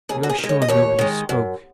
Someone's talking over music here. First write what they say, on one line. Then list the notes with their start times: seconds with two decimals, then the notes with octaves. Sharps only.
'You are sure nobody spoke?'
0.09 D#2 G#4
0.23 F#4
0.29 G#4
0.38 D#3
0.43 G#3
0.49 C#5
0.62 D#5
0.68 D#2 C#5
0.99 D#3 G#3
1.29 F#2